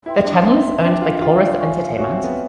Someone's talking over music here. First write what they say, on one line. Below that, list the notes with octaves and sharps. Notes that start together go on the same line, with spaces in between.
The channel is owned by Corus Entertainment.
E4 B4 E5 G5 C6
D4
C4 B4 E5 G5 C6
D4 B4 E5 G5 C6
F4
F4 B4 E5 G5 C6
C#5 E5 G#5 C#6
F#4 C#5 E5 G#5 C#6
C4
B3